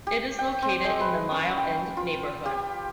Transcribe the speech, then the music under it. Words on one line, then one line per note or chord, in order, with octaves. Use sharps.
It is located in the Mile End neighbourhood.
G4
G5
C4
G#3
B4
C#4
G5
F4
G4